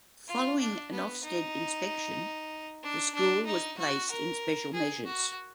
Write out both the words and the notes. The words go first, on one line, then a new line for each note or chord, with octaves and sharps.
Following an Ofsted inspection, the school was placed in "special measures".
F4
D4
B3
D#4
D4
D4
D#4
F#4
A#4
G#4
F#4